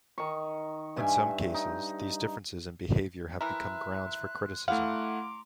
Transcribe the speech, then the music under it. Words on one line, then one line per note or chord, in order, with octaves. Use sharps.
In some cases, these differences in behavior have become grounds for criticism.
D#3 C#6
G2 E5 G#5
D#4
E3 A#4 C5 E5 F#6
A3 E4 F5 F#5 A#5 C6 D6